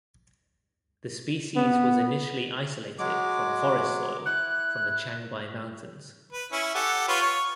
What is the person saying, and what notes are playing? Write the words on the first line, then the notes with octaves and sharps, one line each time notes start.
The species was initially isolated from forest soil from the Changbai Mountains.
B3
F#3 G#3 D6
E4 F#6
B4
C#4 E4
G4 A4 F#5
F4 B4 C#5
C#5